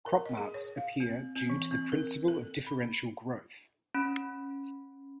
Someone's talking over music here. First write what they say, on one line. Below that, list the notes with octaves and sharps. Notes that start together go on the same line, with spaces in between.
Crop marks appear due to the principle of differential growth.
A#4
D#5
G#4
C#5
F5
C4
C4
E3
C4
A#4
A4
B5
C#4 B5